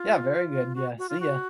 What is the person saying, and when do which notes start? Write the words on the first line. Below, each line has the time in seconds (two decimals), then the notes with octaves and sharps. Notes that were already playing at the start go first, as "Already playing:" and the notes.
Yeah, very good, yeah. See ya.
Already playing: F4
0.75 F#4
0.98 F#4
1.09 F4
1.20 F#4